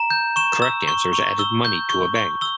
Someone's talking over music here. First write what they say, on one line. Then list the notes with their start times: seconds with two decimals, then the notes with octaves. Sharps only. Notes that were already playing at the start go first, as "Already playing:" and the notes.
Correct answers added money to a bank.
Already playing: A#5 E7
0.10 G6
0.36 C#6 E7
0.62 E6
0.88 C#6
1.13 C#6
1.39 E6 G7
1.65 G6
1.90 C#6
2.16 C#6
2.41 E6 G7